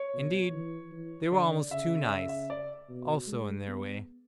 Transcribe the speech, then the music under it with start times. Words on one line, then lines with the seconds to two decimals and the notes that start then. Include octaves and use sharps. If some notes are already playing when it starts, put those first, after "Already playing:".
Indeed, they were almost too nice--also in their way.
Already playing: C#5
0.14 B2
0.52 E3
0.92 E3
1.31 D3 D5
1.70 C#3 E5
2.03 D5
2.09 E5
2.29 E5
2.50 D5
2.89 B2
3.28 G#3
3.68 B3